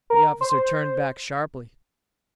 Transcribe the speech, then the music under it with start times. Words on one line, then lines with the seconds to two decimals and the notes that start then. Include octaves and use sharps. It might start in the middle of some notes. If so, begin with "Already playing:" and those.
The officer turned back sharply.
0.10 A#4
0.41 C5